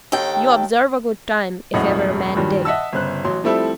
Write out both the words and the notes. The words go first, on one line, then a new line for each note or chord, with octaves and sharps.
You observe a good time if ever a man did.'
D#2 D#3 A4 G5
E1 F#2 A2 D#5 F#5
G2 A#2 D#3 F#3 G3
D#5 E5 F#5 A5 E6
G1 C#3 C5 F#6
A1 F#3 C6
F3 G3 A3 C4 E4 A4